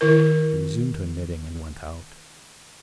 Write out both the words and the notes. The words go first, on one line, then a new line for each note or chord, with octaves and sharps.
She resumed her knitting and went out.
D#3 E4 A#4